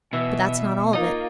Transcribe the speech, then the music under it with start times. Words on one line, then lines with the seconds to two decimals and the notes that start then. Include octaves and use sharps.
But that's not all of it.
0.13 B2 E3 E5
0.93 A#3 D#4 F4 D#5